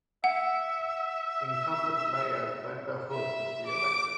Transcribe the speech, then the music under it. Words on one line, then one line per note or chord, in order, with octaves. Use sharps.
Incumbent mayor Glenda Hood was reelected.
E5 F#5
E5
D6